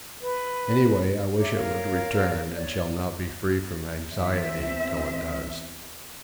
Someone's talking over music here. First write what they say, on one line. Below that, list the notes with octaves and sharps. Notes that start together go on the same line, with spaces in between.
Any way I wish it would return, and shall not be free from anxiety till it does.
B4
C#5 E5 A#5 D6
A#4 C#5 F5
C#5 D5
E2 C4 E5